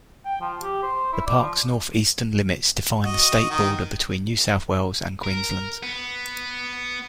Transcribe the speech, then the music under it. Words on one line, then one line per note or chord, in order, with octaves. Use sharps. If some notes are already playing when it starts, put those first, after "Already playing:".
The park's north-eastern limits define the state border between New South Wales and Queensland.
G5
F3
G4
C5
E4
D5
F3
F#4 D#5
D#3 D#6
A#4
B3